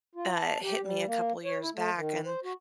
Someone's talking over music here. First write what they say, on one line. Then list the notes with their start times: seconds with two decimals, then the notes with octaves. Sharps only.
I uh, hit me a couple years back and
0.15 F4
0.35 A5
0.63 G4
0.81 G3
1.06 A#3
1.45 C#5
1.60 E4
1.74 A3
1.95 D#3
2.26 C5
2.44 F#4